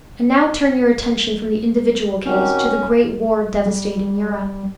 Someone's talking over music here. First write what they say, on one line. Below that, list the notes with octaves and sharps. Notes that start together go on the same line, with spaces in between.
And now turn your attention from the individual case to the great war devastating Europe.
D#3 C4 C#4 F#4 G4
G3